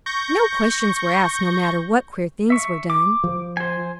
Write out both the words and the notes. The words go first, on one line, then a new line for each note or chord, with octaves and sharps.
No questions were asked no matter what queer things were done.
C#6 G6 A#6
E5 C#6
D6
F3
C5 G#5